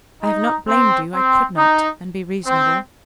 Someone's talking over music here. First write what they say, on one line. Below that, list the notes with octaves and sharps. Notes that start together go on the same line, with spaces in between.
I have not blamed you, I could not--and be reasonable.
D#4
C4
C4
D#4
C4